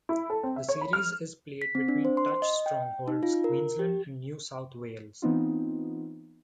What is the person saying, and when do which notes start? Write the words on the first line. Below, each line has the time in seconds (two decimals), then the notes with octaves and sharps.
The series is played between Touch strongholds Queensland and New South Wales.
0.09 E4
0.30 A4
0.43 C4
0.56 E5
0.69 C#5
0.81 B5
0.93 F6
1.62 B6
1.75 C4
1.88 D4
2.05 C5
2.17 C6
2.42 D#5
2.66 G5
3.08 D#4
3.23 F4
3.44 A#4
3.79 G4
5.22 E3 B3 C4 D#4 F4